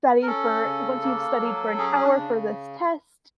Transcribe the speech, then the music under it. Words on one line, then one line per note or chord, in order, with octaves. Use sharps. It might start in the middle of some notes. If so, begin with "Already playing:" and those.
study for once you've studied for an hour for this test,
A#4
C#4 A4
C#3
A#3
F#3
C#4 G#4
C#4
D4
C#3